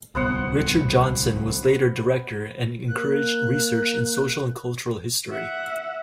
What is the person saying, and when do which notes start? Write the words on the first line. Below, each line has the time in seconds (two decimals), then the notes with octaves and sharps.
Richard Johnson was later director and encouraged research in social and cultural history.
0.15 D1 C2 B3 C5 F#5
2.89 A#3 F#6
5.32 E5 F#5